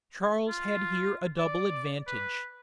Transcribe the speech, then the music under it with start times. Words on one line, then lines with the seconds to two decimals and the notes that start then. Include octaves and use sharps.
Charles had here a double advantage.
0.48 F4
1.38 D5
2.07 B4